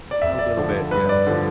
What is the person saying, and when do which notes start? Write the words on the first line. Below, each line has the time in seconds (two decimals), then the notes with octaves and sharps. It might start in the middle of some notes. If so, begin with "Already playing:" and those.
A little bit, yeah.
0.11 D5
0.22 F2 E5
0.39 D5
0.57 D3 F3
0.91 G2 B4
1.09 D5
1.26 D3 F3